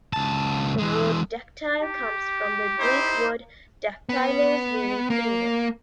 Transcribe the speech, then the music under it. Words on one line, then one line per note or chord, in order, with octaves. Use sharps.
The word dactyl comes from the Greek word "daktylos" meaning "finger".
C#2 A5
E3 G#3
G4
D#4 E4 C5
B3
A#3